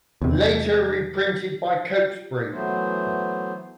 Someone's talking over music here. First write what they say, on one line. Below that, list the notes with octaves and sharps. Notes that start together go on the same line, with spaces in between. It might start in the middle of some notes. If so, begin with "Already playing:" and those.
Later reprinted by Cokesbury.
E2 C3
E3 F#3 A3 B3 C5